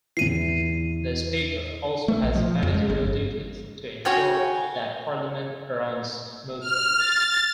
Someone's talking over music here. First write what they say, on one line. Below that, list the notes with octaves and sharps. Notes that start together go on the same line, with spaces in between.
The Speaker also has managerial duties to ensure that Parliament runs smoothly.
E2 E3 C7 D#7
A3
A#1
F3
F2
G#3
G1
F#4 C#5 G5 G#5
F6
A6